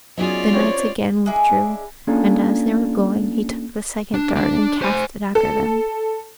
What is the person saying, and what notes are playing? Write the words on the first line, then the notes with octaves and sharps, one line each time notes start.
The knights again withdrew, and as they were going he took the second dart and cast it after them.
F#3 B3 C#4 D#4 F4 G#4 D5
C4 E4 G4 C#5
G#3 D4 E4 G#4
A#3 C#4 D4 F4 G#4 A4
D4
D4
C5 G#5
A4